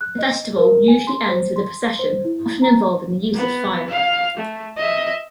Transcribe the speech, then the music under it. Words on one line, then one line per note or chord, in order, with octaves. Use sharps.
The festival usually ends with a procession, often involving the use of fire.
F#6
D#5
A#4
G#5
C6
C5
C6
C5
E4
A#5
B3
F5
A3
D#5 E5